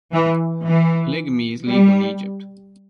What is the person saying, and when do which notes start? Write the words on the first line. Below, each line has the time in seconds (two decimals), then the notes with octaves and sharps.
Polygamy is legal in Egypt.
0.13 E3
0.65 E3
1.70 G3